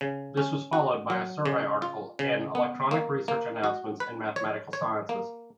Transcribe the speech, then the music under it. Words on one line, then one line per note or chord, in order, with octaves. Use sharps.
This was followed by a survey article in Electronic Research Announcements in Mathematical Sciences.
C#3
C#4
F#4
F#3
C#3
F4
C#3
B3
A#3
A#3
F#4
B4
C#5
C#5
A#3